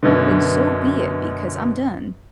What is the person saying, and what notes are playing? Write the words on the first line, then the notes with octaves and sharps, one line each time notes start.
then so be it, because I'm done.
F#2 B2 D3